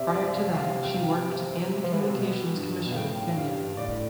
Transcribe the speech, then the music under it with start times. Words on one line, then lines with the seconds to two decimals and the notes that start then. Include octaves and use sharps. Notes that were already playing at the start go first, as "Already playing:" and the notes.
Prior to that she worked and the Communications Commission of Kenya.
Already playing: C3 D5 E5
0.14 D5
0.35 F5
0.54 F5
0.84 G5
0.95 F5
1.84 F3
1.92 E3
2.00 D3
2.08 C3
2.16 B2
2.57 G2
2.86 B2 F5
2.96 A2 G5
3.27 A2
3.37 G2 F5
3.77 A2 D5